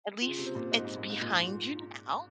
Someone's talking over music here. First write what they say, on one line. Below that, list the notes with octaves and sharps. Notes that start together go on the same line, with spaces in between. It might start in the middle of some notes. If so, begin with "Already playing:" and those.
at least it's behind you now.
C#3 F4
C3
C5
A#2
G#2 D#5
G#2
A#2 A#3
G#2
A#2 F4
G#2